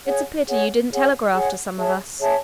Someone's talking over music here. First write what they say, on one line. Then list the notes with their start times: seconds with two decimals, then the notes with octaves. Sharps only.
"It's a pity you didn't telegraph to some of us."
0.05 G#4 C#5 F#5
0.47 G#4 C#5 F#5
0.91 G#4 C#5 F#5
1.34 G#4 C#5 F#5
1.77 G#4 C#5 E5 A5
2.19 G#4 C#5 E5 A5